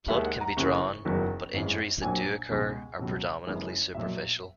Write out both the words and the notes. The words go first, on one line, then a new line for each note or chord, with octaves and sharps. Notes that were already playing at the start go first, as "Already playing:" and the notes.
Blood can be drawn, but injuries that do occur are predominantly superficial.
D#2 D#3 G#3 E5
F#5
A#5
F#1 F#2 C#3 E3 C#6
F#1 E2 D#3 F#3
G#1 F#2 E3 G#3
A#1 A#2 F#3 G#5
C#2 B2 G#3
C#2 B2 F#3
F#1 F#2 E3 G#3
B1 A#2 F#3 E5